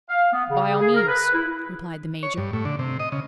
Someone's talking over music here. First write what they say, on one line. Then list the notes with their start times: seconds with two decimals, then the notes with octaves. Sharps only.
"By all means," replied the major.
0.09 F5
0.32 B3
0.49 C#3
0.81 G#4
0.94 A#4
1.08 B4
1.34 E4
2.23 C#5
2.38 G2
2.53 A2
2.65 D3
2.79 C3
3.00 D#5
3.12 C#3